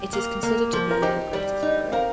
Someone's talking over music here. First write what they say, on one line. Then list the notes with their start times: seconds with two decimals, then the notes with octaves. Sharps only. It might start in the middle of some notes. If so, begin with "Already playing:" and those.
It is considered to be her greatest poem.
Already playing: G4
0.13 A#3
0.43 A#3
0.73 F3
0.91 A#4
1.02 D#4 G4 C5
1.33 G3
1.62 D#4
1.92 A#4 C5 F5